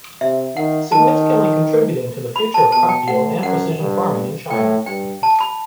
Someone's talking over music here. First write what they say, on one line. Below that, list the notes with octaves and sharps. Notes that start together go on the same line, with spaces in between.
Significantly contributing to the future of crop yield and precision farming in China.
C3 E5
D#3 F#5
D#3 A5
B5
A5
B2 A5
G5
A2 F#5
F#2 F#5
G2
A2 G5
G2 G5
A5
B5